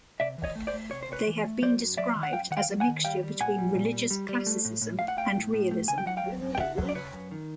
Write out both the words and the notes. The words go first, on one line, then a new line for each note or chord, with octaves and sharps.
They have been described as a mixture between religious classicism and realism.
C3 D5 E5
E3
C#5 D#5
A3
C5 D5
A3
C3 C#5
C5
C3 B4 C#5
E3
A3
F#3 C5 D5
F#2
F#3 D5 E5
D#3
F#5
F#2 F5 G5
D#3 F#5
F5 G5
F#3
F#5 G#5
D#3
G3 F5 G5
G3
A#2 F#5 G#5
G3
A#2
G3
G3
G3
A3
A2
A2
A2 F5
F#5
A2 F5 G5
A2
A2
A3
C#3 G#5
G5
F#3 F#5
F5 G5
F#3
F#2
G5
C#3 E5 F#5
F#3
D5
C#3 B4 C#5
F#2
D#3